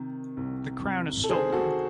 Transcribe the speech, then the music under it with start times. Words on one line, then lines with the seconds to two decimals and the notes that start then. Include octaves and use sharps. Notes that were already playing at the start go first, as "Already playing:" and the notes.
The crown is stolen!
Already playing: C3 D#3
0.37 C2
0.83 C2
1.24 A4
1.29 D#3 G#4 C5
1.52 F#4 A4